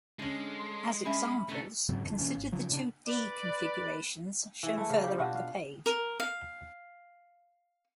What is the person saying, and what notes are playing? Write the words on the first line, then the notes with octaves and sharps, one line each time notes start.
As examples, consider the two "d" configurations shown further up the page.
D3 G#3 C#4
C6
G3 C#4 E5 B5
A2 C3 A3 C#4
G#2 C#3 F#3 C4
F#1 F2 D3
B2 E3 A#3 C#4
G#1
C#3 F3 F#3
A#2 C#3 D4
B4 D5
E3 G#4
A3 E4
C#3 A#3
G3 G4
B2 D4 F4 F#4
F5
A#4
F5